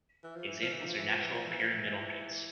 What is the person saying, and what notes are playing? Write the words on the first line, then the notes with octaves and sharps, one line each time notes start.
Examples are natural pyramidal peaks.
E3
F3
E3
F3
E3
F3
E3
F3
E3
F3
E3
F3
E3